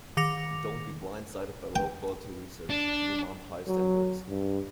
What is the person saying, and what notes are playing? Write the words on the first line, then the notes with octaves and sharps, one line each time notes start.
Don't be blindsided by low-quality research, demand high standards.
D#3 D6 A#6 C#7 F7
G5
D4
F#3
G2